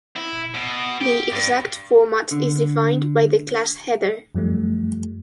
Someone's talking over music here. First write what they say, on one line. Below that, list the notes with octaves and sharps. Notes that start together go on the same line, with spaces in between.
The exact format is defined by the "class" header.
E4
B2
G4
G2
D3
F#2 F3 G3 A3